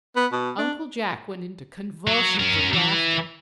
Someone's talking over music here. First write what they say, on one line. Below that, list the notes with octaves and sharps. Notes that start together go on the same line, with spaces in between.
Uncle Jack went into convulsions of laughter.
B3
B2
D4
F#3
C#4 A#4
E3